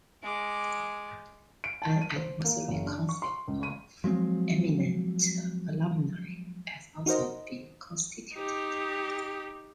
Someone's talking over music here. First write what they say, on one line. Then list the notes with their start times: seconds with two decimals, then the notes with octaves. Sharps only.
An Advisory Council of eminent alumni has also been constituted.
0.23 G#3 D6
1.64 D7
1.82 A5
2.01 D#7
2.16 C5
2.44 A#3
2.68 F#1
2.86 D4
3.09 C#6
3.22 C6
3.48 C#2
3.63 D#7
4.04 F3 F#3 G#3 C4
7.06 D#4 F#4 A#4 C5 D#5
8.34 D#4 G4